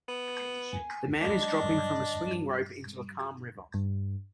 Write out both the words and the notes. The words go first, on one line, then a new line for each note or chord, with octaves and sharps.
The man is dropping from a swinging rope into a calm river.
B3
G#5
D4 D#5
G2